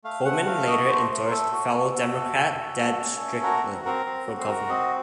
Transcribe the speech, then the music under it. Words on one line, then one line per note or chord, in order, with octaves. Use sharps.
Coleman later endorsed fellow Democrat Ted Strickland for governor.
A3 F5
A3 F#5
A3 F5
F#4 D#5
A3 C5
A3
A#4
A3 A4
F#4
F#4
F#4
A3
F#4
F#4
A3
C#4
A3
F#4 A#4
C4
C4 A#4
C4
F#4
C5
F#4 A#4
C4 D#5